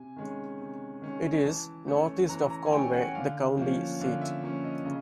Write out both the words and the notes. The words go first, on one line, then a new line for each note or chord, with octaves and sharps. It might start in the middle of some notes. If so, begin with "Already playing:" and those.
It is northeast of Conway, the county seat.
Already playing: C3 G#5
D#3 G#3 C#4
C3
D#3 G#3 C#4
E3 A5
A3 C#4
E3 A#5
A#5
G#5
A3 C#4 G5
F#5
D3 F5
F3 A#3 C#4
D3 F5
E5
F3 A#3 C#4
D#5
C#3 D#5